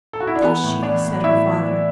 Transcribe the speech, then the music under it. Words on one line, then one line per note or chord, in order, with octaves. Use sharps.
'Does she?' said her father.
A4
F#4
E4
D4
E3 B3
A2
E3 D4 D5
A2
A2 E4 E5
E3
A2